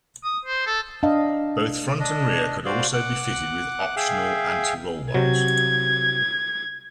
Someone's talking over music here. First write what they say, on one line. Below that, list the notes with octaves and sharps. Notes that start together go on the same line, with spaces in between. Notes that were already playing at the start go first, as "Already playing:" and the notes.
Both front and rear could also be fitted with optional anti-roll bars.
D#6
C5
A4
D4 D#5 F5
D4 D#5
F#4 C5 D5 F5
F#5 D6 F#6
G#4 E5 F5 G5
C3 F#3 G#6